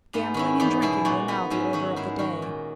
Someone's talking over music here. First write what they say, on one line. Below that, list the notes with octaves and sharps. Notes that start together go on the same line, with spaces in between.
Gambling and drinking were now the order of the day.
G#2 B3 D#4
D#3 C#4 E4
E2 B3 D#4
B2 E4 G#4
A#2 D#4 F#4
B3 D#4
G#2 C#4 E4
D#3 D#4 F#4
G#2 E4 G#4
D#3 F#4 A#4
A#2